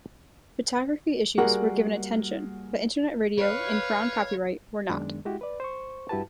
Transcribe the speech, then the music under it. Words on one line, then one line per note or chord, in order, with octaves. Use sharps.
Photography issues were given attention but Internet radio and Crown copyright were not.
G3 A#3 F#4 G#4 A#4 F#5
B4 C#5 F5
F#2 D#3 G#3 B3 D4
G#3 E4 F#4 G4
B4 D5
C5 C#6
G2 E4 F#4 G4 B4 A5